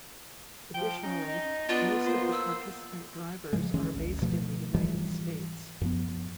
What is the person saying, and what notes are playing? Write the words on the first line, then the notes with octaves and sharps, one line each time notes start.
Additionally, most of the participant drivers are based in the United States.
F3 G5
C#4 D#4
D#5
B3 D4 F4
A#3 C5
E6
G#2 C#3 F3 G#3
D#3 E3 G#3 C#4
G#1 D2
B2 F3 A3
G#2 E3 F3 G3
F#2 F3 B3